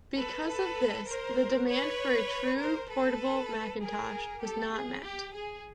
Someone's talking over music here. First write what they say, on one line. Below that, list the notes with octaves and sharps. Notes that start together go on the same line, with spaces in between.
Because of this, the demand for a true portable Macintosh was not met.
A4 B4
A4 B4
A#4 C5
B4 C#5
A#4 C5
A4 B4
G#4 A#4
G4 A4
G#4
G4
G#4